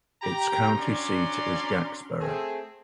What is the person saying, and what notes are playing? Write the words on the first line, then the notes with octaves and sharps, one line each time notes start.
Its county seat is Jacksboro.
G4 G5 A#5
C#4 D4 F#4 D5 A#5 C6
A3 C4 G#4